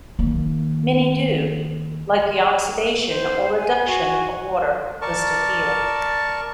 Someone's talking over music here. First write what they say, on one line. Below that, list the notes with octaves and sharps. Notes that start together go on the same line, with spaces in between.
Many do, like the oxidation or reduction of water listed here.
D#3 A#3
C5
G#5
F#4
A#4 D5 A5 C#6